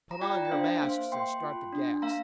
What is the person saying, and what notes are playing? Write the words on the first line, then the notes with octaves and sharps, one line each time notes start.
Put on your masks and start the gas!
A#5
F4 D5 G5
A#5
G5
D4 C5 F5
A#3 C5 F5
A#3 G5 C6
F4
D4
A#3 F5 A#5